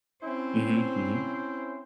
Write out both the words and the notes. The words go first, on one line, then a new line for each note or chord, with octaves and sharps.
Mhm, mhm.
C4 C#4 E4 C5